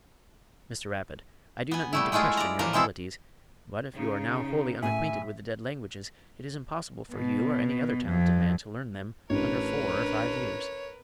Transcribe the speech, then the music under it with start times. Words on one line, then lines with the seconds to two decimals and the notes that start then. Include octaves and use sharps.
"Mr. Rapid, I do not mean to question your abilities; but if you are now wholly unacquainted with the dead languages, it is impossible for you or any other talented man to learn them under four or five years."
1.71 B3 G#5
1.93 G3 A3 E4
2.12 G#3 A3 E4 F4 G#4
2.37 D5 A#5
2.59 A2 E3 F3 A#3 A#4 A#5
2.73 G#3 C4 E4 G#4 A4
3.96 C#3 D#4
4.82 A2 E5 G#5
7.12 B2
8.07 F2
9.30 A1 D4 A#4 B4 C#5